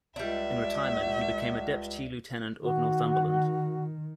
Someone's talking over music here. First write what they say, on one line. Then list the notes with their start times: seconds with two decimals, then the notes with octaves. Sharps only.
In retirement he became a Deputy Lieutenant of Northumberland.
0.16 C#2 G3 D4 E5
2.62 D#3 F#4